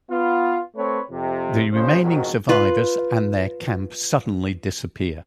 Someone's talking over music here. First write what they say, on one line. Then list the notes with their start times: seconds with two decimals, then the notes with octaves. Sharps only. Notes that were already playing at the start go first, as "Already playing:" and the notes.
The remaining survivors and their camp suddenly disappear.
0.10 B3 F4
0.76 A3 C4 B4 C#5
1.11 F2 C3
1.72 A1 C#3 C5
2.02 B1 F2 G#2 D#3 F#3
2.49 F4 B4